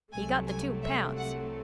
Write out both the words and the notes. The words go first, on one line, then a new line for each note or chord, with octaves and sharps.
He got the two pounds.
C2 C3 F#3 A3 G#5
G#5
E5
F#5